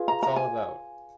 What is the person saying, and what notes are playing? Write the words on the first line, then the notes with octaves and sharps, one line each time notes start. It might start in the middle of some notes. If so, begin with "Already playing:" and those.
It's all about.
Already playing: F4 G#4 B4
A#5
A#5
G#5